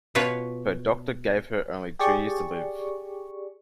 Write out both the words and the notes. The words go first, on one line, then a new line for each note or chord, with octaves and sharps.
Her doctor gave her only two years to live.
B2 F4 B4 C#5
G4 G#4 D5 C#6